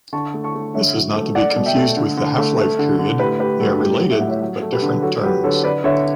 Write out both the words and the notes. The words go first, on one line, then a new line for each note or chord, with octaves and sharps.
This is not to be confused with the half-life period; they are related but different terms.
D3 A5 C#6
A3
A5 C#6
A3
D3 C#5 E5
F#3
A3
A3 D5 F#5
B2
E5 G5
A3
D3
D3
A3
A3
D3
D3
A2 G4 B4
A2 G4 B4
G3 F#4 A4
A2 G4
F#3
E5
A2 F#5
C#5 E5
F#3
A3
G4 B4
D3
F#3 F#4 A4
F#3 G4 B4
D3 A4 C#5
D3 B4 D5
D3 C#5 E5